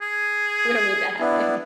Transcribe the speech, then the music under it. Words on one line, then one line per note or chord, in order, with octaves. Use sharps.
We don't need that happening.
G#4
B3 D4 E4